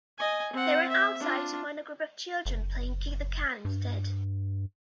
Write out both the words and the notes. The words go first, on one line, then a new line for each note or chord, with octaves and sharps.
They run outside to find a group of children playing kick the can instead.
D#5 G#5
C4 F#5
E5
D4 F4
F#1
G2